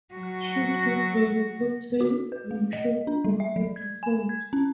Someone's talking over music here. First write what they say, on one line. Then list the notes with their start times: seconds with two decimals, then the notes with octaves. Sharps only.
She too had a captain and troop for her defense.
0.14 F#3 F#4
2.01 F#4
2.32 B4
2.51 A3
2.73 D#5
3.07 D4
3.25 G3
3.40 E5
3.56 F#3
3.76 G#6
4.03 G#5
4.29 G#6
4.53 C#4